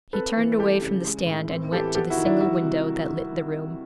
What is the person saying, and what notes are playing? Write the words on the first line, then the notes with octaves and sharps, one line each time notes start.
He turned away from the stand and went to the single window that lit the room.
C4 A4 B4
E3
A3 G4 A4
C#3
G#3
A2
C4
E3 G4 A4
B3 G4 A4
E4 F#4
D#3
D4 E4
G3 E4 F#4
C3